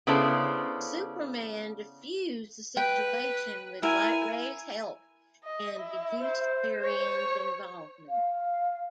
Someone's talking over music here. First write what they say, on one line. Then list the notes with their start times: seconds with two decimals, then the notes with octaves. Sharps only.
Superman defused the situation with Lightray's help and deduced Arion's involvement.
0.07 C#3 B3 D4 E4 A4 C5
2.77 B4 G5
3.83 E4 A#4 G#5
5.44 D#5
5.79 E4
6.18 C5
6.85 C#5
8.09 F5